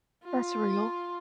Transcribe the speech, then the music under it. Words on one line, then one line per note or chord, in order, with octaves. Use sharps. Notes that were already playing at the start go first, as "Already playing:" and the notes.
that's real.
F4